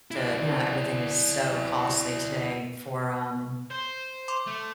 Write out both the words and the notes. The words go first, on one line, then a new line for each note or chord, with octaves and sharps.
to you know, everything is so costly today for, um,
E4 D5
C5
C6 D6
A3